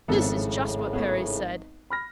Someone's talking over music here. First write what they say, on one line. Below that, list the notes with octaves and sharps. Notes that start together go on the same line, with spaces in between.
This is just what Perry said.
G#1 F2 A2 C#3 B3 A4
B3 G#4 C#5
B5 F6 A#6